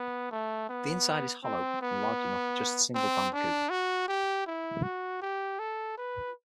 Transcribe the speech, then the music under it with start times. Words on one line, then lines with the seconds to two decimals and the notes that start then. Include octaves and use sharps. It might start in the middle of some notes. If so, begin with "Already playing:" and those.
The inside is hollow and large enough for just the single bandicoot.
Already playing: B3
0.31 A3
0.69 B3
1.44 C4
1.82 B3
2.95 C4
3.33 D4
3.70 F#4
4.08 G4
4.47 E4
4.83 F#4
5.22 G4
5.59 A4
5.98 B4